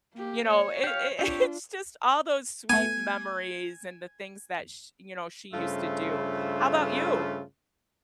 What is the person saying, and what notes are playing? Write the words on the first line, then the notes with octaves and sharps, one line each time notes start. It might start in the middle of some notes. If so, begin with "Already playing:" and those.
you know, it it it's just all those sweet memories and the things that sh you know, she used to do. How 'bout you?
A#3 G4
C#5
G4 F5
C4 D4 F4 G4 C#5
A3 B3 G#5
G2 C#3 A3 F4 C5 E5